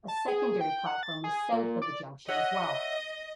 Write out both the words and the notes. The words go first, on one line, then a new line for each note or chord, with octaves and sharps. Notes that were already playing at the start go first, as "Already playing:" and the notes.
A secondary platform was south of the junction as well.
A5
G#4
G5
F#5
A6
G#4
A#2
D5
C#5 D#5 E5 F#5